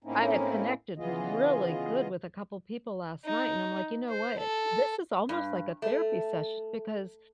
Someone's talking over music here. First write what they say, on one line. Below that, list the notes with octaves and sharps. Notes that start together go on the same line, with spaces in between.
I had connected really good with a couple people last night, and I'm like, "You know what? This is almost like a therapy sesh because
A2 A#3 C4 C#4 D#4 E4
C#3 E3 B3 F4 G#4 D#5
D#4
C5
A4
G2
A3